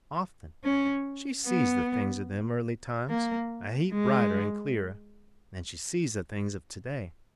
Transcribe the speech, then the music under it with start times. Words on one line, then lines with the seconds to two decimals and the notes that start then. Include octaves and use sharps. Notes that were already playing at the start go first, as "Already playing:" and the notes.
Often she sees the things of them early times a heap brighter an' clearer than she sees the things of today.
0.64 C#4
1.46 B3
3.09 A#3
3.92 G#3